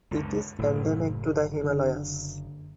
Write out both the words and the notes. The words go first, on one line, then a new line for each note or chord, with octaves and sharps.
It is endemic to the Himalayas.
C#2 F#2 D3
F#1 A2
D3